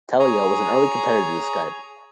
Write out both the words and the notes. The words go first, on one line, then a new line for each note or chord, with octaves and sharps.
Teleo was an early competitor to Skype.
G#4 C#5 G#5 A#5